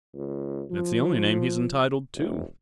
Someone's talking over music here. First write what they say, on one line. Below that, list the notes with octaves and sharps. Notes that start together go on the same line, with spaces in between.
It's the only name he is entitled to.
C#2
F3
E1